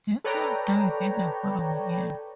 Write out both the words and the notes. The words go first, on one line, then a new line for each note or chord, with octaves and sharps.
Ditton died in the following year.
A4 B4 C#5 D5 G5 A#5